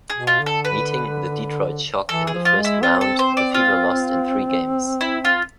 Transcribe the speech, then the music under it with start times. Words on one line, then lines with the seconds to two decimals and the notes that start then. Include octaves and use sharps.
Meeting the Detroit Shock in the first round, the Fever lost in three games.
0.10 G#4
0.16 B2
0.27 F4
0.40 D3
0.46 A4
0.65 B4
2.09 E3 A4
2.27 G#4
2.34 F3
2.45 F4
2.58 G#3
2.65 E4
2.82 C4 F4
3.01 A4
3.19 C5
3.37 D5
3.54 F4
5.01 E4
5.25 F4